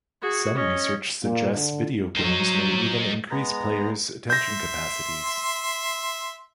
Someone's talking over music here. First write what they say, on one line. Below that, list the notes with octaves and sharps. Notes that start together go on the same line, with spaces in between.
Some research suggests video games may even increase players' attention capacities.
F#4 G#4
C#4 D#5
A#2
D3
F#3 D#4 C5
G#3 B3 A#5
E5 C6 G6 A#6